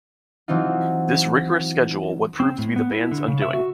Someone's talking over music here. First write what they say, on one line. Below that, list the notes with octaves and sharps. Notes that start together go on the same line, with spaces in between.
This rigorous schedule would prove to be the band's undoing.
E3 F#3 C4 D#4 F4
C4
A2
B3
E4
D3
C#3
E5
F#4